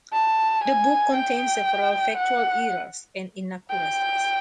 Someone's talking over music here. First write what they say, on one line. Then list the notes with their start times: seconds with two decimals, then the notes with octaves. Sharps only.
The book contains several factual errors and inaccuracies.
0.13 A5
0.64 G#5
1.15 G5
2.17 F#5
3.71 G5